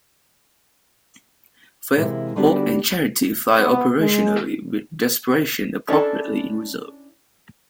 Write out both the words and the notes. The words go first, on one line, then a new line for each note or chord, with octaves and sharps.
"Faith", "Hope" and "Charity" fly operationally, with "Desperation" appropriately in reserve.
C3 E3 G#3 A#3 E4 A#4
D3 G3 B3 D4 F#4 G4
B3
G#3
C#4 D4 E4 A4